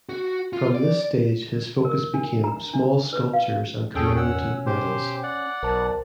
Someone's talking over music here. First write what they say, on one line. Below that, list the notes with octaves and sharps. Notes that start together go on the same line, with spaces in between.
From this stage his focus became small sculptures and commemorative medals.
F#4
F4
D5
A#4
D4
A#5
D4
B4
F5
E2 G2 C#4 G#4 A4 G5 G#5
F#5 E6
B2
G4 C5
D5 F#5
B1 A#4 C5 A5